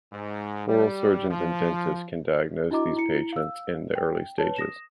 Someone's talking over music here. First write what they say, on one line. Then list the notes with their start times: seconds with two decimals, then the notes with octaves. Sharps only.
Oral surgeons and dentists can diagnose these patients in the early stages.
0.13 G#2
0.68 G3
1.30 F3
2.70 D4 E4 F#4 D#5 A#5 D6
2.96 E4 A#5 C#7
3.33 F5 E6
3.95 G5
4.38 B4 C#5 A5
4.56 D#6 A#6 E7